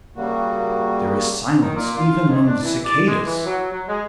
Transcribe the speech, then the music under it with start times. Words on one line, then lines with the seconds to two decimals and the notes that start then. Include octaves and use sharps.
There is silence even among the cicadas.
0.16 C#3 G3 A#3 F#4
1.62 D#3
1.75 A#2
1.97 F4
2.29 G#2
2.47 D4
2.62 E3
2.84 D5
3.07 G#3
3.25 E3
3.45 F#3
3.71 F#3
3.87 G#3